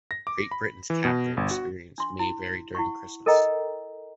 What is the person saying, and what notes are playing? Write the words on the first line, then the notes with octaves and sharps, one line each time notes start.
Great Britain capital’s experience may vary during Christmas.
A#6
D6
B5
E3
B2
G1
F#4
D4 C6
E4
E4 F#5 C#6
A4 A#4 D#5 G5 A#5